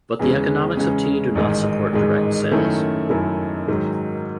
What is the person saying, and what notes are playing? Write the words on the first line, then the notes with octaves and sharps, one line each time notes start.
But the economics of tea do not support direct sales.
E2 C#3 G#3 C#4
E2 C#3 G#3 C#4
A1 G#2 D#3 G#3
A1 G#2 D#3 G#3
F#2 D#3 A3 C#4 E4
F#2 D#3 A3 C#4 E4
G#2 D#3 F#3